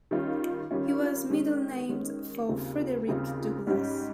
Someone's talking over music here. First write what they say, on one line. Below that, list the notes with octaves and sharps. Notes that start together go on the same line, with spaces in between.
He was middle-named for Frederick Douglas.
D#3 G3 C#4 F4
D#3 G3 C#4 F4
D#3 G#3 C#4 G4
D#3 G#3 C#4 G4
D#2 C#3 G3 C4 F4
D#2 C#3 G3 C4 F4
G#2 G3 C#4 G4